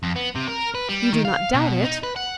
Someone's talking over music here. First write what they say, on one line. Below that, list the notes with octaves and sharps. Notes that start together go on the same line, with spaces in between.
"You do not doubt it?"
F2
B3
C3
A#4
B4
G3
D#3
F5
B2
D#4
B4
F#5